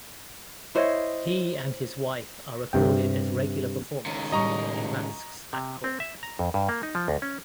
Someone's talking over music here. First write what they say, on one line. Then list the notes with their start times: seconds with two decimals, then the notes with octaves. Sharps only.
He and his wife are recorded as regular performers in masques at court.
0.75 E4 C5 C#5 D#5
2.73 G2 C3 G5
4.06 C#2 D#3
4.32 A2 G3 D#5 A#5 C#6
5.53 C3
5.84 C4
6.00 E5
6.23 A#5
6.39 F2
6.54 G2
6.69 A#3
6.83 D#4
6.95 F3
7.08 D2
7.22 C#4